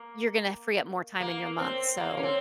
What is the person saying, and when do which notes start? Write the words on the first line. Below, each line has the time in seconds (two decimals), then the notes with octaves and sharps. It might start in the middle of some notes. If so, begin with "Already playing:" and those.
you're gonna free up more time in your month, so,
Already playing: A#3
1.20 A#3
1.59 C4
1.97 A#3
2.17 C#4
2.23 C4